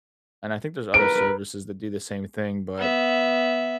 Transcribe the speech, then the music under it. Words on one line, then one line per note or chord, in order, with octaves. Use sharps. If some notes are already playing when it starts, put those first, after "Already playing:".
and, I think there's other services that do the same thing, but,
A#4 B4 D7
B3 E5